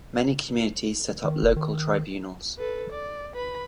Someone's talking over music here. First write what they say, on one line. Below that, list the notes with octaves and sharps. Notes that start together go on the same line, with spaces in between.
Many communities set up local tribunals.
D#3
F1
D#3
A4 B4
D5
B4 B5